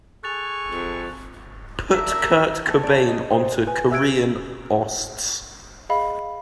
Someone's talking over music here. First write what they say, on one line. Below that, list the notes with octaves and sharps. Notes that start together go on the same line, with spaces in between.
Put Kurt Cobain onto korean osts.
G#4 A4 G#5 C#6 F#6 A6 F7
F2
A#3 D4 A#4 E5
A4
D5
C#5
D#5
C5
B4 G#5
G4 E5 E6 F#6 G#6 D7
G#4 D#5 F5 B5